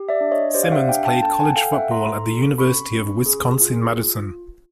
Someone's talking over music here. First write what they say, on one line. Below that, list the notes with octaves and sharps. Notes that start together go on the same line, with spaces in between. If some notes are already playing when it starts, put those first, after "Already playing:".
Simmons played college football at the University of Wisconsin-Madison.
Already playing: G4
D5 E5
D4
C#5 D#5
G4 C5 D5
F5
E5 F#5
D4 F5 G5
G5 A5
A4 G5 A5
F#5 G#5
A4 F5 G5
E5 F#5
A4 A#5 C6
A4
C#4 B5 C#6
C#4
G#4
F4